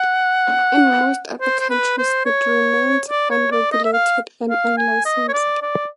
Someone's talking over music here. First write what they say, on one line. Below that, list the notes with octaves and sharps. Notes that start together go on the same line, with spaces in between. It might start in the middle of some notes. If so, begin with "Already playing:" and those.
In most other countries it remains unregulated and unlicensed.
Already playing: F#5
C5
C5
B4
C5
C#5
D5
C#5
D5
D#5
E5
F5
F5
G#5
D#5
C#5
D5
D5